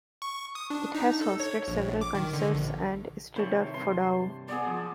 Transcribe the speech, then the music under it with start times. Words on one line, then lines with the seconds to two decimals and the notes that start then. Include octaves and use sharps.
It has hosted several concerts and eisteddfodau.
0.22 C#6
0.55 D#6
0.70 D4
0.95 D#4
1.21 A4
1.40 C#5
1.67 A#1
2.01 D6
2.15 D#3
2.33 D3
2.54 A#1
3.36 C3 D#3 E4 C5 C#5 A5
3.74 G2 C3 E3 C6
4.49 B3 G#4 D5
4.67 F3